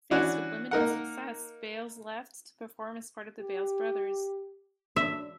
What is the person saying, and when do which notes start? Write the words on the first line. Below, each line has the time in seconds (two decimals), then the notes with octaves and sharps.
Faced with limited success, Bailes left to perform as part of The Bailes Brothers.
0.11 E3 C#4 D4 F#4
0.71 A#3 D#4 A#4 F#5
3.40 G4
4.96 D4 E5